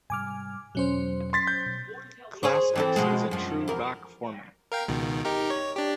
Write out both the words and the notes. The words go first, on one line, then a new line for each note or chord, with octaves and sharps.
ClassX is a True Rock format.
G#2 C3 G3 G#5 D6 F6
E2 B2 F#3 C#4 C5
C6 A6 B6
G6
B2
G#4 C5 C#5
E3 C4 A4
B2 F3 G#3
F#2 F3
E2 A#4
A#4 F5 G5
C#2 B2 D#3
D#4 G4 A#4
C#5
D4 G4